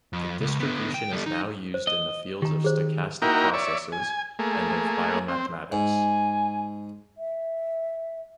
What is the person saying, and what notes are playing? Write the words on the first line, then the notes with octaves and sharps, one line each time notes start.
The distribution is now used in the fields of stochastic processes and of biomathematics.
F2
C#2
D3 B3
G5
G3 A4
D#4
C5
D#5
D#3 G4 A#5
G#4 C5
A#3 D#4 E4 F#4 A#4 G5
C#5 D5 E5
G#5
A3 A#3 G#4
C4
G#2 G#5
E5